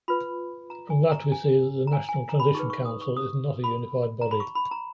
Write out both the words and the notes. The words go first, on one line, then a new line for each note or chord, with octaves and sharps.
From that we see that the National Transitional Council is not a unified body.
F4 B4 B5
A#5
G#5
A#5
G#5
A#5
G#5
G#5
A#5
B5
D#4 G#4 B4 C#6
C#6
D#6
C#6
D#6
B5
A#5
B5
C#6
B5
A#5